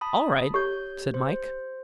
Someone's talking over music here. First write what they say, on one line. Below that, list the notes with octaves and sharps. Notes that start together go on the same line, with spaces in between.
"All right," said Mike.
A5 B5 D#6
G4 C#5 G6
C5